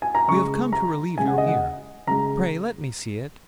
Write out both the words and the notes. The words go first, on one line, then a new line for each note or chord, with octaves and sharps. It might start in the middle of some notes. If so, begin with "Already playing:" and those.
We have come to relieve your ear. Pray let me see it.
G#5
A#5
C#3 G#3 C#6
A#5
C#3 G#3 G#5
F#5
D#5
F#5
C#3 G#3 A#5